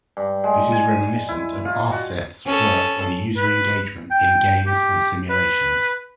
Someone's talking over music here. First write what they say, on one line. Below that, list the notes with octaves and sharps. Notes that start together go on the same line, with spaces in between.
This is reminiscent of Aarseth's work on user engagement in games and simulations.
G2
G#3
G#5
E4
F4
F#4
C#4 A4
B4
G5
G4
B4